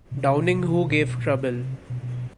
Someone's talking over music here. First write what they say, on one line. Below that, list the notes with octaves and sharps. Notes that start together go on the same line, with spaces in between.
Downing who gave trouble.
B2
C3
B2
C#3
C3
A#2
B2
A#2
C3
B2
C3
B2
B2